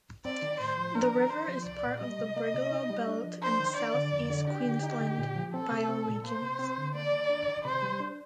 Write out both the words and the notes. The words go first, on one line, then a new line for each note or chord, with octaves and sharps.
The river is part of the Brigalow Belt and South East Queensland bioregions.
C4 D5
D#3
A2 C5
F3
D4 A#4
D#3
D4 C5
F3
C2 D5
A#2
G3 D#5
C3
A#3
C3
D#4
G3
D4
F3
D4 C5
D#3
D4 D5
D3
F2
D3
D4 G4
D3
D#4
D3
A#2
F3
C4 A4
C3
C4
A#2
A#3 C5
C3
C4
D3
A#3 D5
D#3
D4
D#3
C3 C5
G3
D4